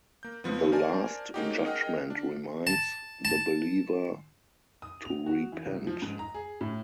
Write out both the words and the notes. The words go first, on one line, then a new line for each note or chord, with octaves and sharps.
The Last Judgement reminds the believer to repent.
A#3 G6
F2 F3 B3
A#4 C5 D5 G#5 A5
G#3 A#3 C#4 D#4 F#4 G4
G#4 A#4 D#5 F#5 G5 F6
D4
A5
A5
D#6
F7
F#4
E3
C2
F3
G#2
A#5
G#4
A2